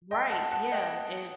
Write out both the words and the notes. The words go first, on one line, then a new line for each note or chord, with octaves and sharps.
right, yeah, and
D#5 G5
F#5 A5
F#5 A5
D#5 G5